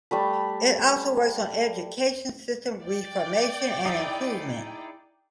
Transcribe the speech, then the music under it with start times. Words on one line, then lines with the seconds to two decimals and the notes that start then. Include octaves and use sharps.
It also works on education system reformation and improvement.
0.11 G3 A3 B5
2.84 D5 G5
3.86 D#4 E4 G#4